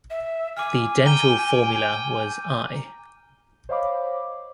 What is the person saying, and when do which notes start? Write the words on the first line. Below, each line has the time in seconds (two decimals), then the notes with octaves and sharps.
The dental formula was i.
0.10 E5
0.57 G#5 D6 F6
1.06 G5 A#5 D#7 G7
3.69 C5 C#5 D#5 F5 B5 D6